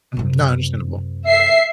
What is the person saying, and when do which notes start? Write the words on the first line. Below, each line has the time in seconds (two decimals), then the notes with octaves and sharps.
Mhm, no understandable.
0.17 F#2 C3
1.26 E5 C7